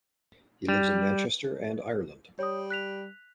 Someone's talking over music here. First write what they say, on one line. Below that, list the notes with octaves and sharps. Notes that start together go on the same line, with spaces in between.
He lives in Manchester and Ireland.
G3
G3 C#5 D#6
F#6 B6 F7